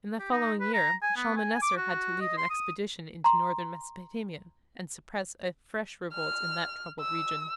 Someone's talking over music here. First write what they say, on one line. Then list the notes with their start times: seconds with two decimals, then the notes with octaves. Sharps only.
In the following year Shalmaneser had to lead an expedition into northern Mesopotamia and suppress a fresh revolt in that troubled region.
0.19 G4
0.31 D#4
0.60 B4
0.73 A#5
1.02 G#5
1.16 B3
1.37 G#5
1.62 D6
1.77 F#4
2.21 D#5
2.37 C6
2.50 D#6
3.24 A#5 C6
6.14 F6
7.01 E6